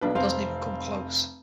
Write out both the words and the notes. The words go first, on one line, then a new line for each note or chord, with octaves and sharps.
Doesn't even come close...
B1 D4 B4
F1 C4 F5